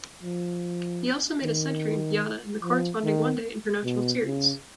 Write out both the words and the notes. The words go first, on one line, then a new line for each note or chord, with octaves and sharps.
He also made a century in Guyana in the corresponding one-day international series.
F3
D#3
F3
D#3
B2
C#3